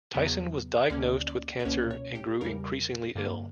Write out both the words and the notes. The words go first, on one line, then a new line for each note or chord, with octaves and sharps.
Tyson was diagnosed with cancer and grew increasingly ill.
E2 C#3 F#3 B3
D2 D3 A#3 C#4 D5
D5
B4
C#2 B2 A#3 C#4 C#5
C#5
G4
E2 C#3 G3 A#4
G2 D3 A#3